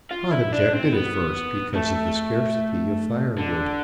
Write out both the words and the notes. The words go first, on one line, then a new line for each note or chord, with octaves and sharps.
Pod objected at first, because of the scarcity of fire-wood.
F4
E4
D4
C4
B3
A3
D3